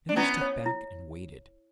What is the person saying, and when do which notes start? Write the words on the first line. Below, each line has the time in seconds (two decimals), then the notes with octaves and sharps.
Then he stepped back and waited.
0.09 D4
0.16 B3 C#4 E4
0.41 C#5
0.66 E4